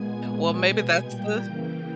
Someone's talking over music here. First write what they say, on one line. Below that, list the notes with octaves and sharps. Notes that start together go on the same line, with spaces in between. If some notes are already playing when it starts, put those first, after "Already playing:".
Well, maybe that's the
Already playing: A#2 G#3 B3 G#5 G#6
A#2 G#3 B3 G#5 G#6
B2 G#3 B3
A#2 G3 A#3 G5 G6
C#3 E3 A#3